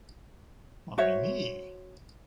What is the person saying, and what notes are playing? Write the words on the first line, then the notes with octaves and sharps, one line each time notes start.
My knee.
F#4 C5 C#5 E5